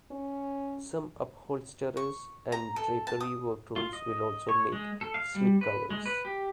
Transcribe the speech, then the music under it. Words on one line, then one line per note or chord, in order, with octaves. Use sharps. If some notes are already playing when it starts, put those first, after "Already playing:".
Some upholsterers and drapery workrooms will also make slipcovers.
C#4
C#6
A#5
A4
A5
D#6
F4
D#5
C#5
G#3
A4
F5
G3
B4
G#3
B4
G4